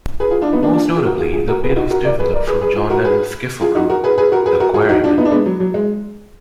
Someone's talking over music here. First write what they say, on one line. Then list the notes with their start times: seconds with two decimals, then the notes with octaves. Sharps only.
Most notably, the Beatles developed from John Lennon's skiffle group the Quarrymen.
0.20 G#4 B4
0.31 F4 G#4
0.42 D4 F4
0.52 B3 D#4
0.63 A#3 D4
0.73 D4 F4
0.95 F4 G#4
1.05 F#4 A#4
1.20 F4 G#4
1.33 F4 G#4
1.48 F#4 A#4
1.62 G#4 B4
1.70 F4
1.76 D#4 F#4
1.91 F#4 A#4
2.05 A#4 D5
2.19 G#4 B4
2.33 A#4 D5
2.47 G#4 B4
2.61 G#4 B4
2.76 F4 G#4
2.90 F#4 A#4
3.04 G#4 B4
3.61 F4 G#4
3.75 D#4 F#4
3.89 F#4 A#4
4.04 G#4 B4
4.18 G#4 B4
4.32 F#4 A#4
4.46 G#4 B4
4.60 F#4 A#4
4.74 F4 G#4
4.89 D#4 F#4
5.04 D4 F4
5.18 B3 D#4
5.25 D4
5.31 G#3 B3
5.46 F#3
5.60 F#3
5.74 G#3